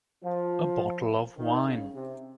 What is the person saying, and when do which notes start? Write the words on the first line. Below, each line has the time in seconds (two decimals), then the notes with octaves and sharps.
A bottle of wine.
0.22 F3
1.37 D#3
1.66 C#3
1.94 C3